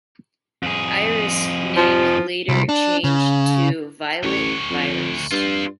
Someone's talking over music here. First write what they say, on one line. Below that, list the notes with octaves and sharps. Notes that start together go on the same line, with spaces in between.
Iris' name later changed to Violet Virus.
F2 G#4
F3
C2
D4
C#3
A1 D2 C#5
F2
G2 C4 F4